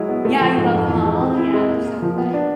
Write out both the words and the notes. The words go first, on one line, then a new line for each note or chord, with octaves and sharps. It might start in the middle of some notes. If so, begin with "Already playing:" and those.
yeah, you love 'em all? Yeah, they're so good.
Already playing: F#3 G#3 E4
B3
A3
F3
G#2
F2
E3
G#3
C4
E4
G#3
A#3
A#3
F3
B3
D4